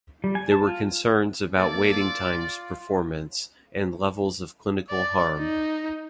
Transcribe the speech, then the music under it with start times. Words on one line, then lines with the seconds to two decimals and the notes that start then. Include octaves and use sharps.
There were concerns about waiting times performance, and levels of clinical harm.
0.24 G3
0.35 G#5
0.52 A5
0.67 F4
1.57 A#3 A4 D5
2.00 F4
4.90 D5
5.39 D#4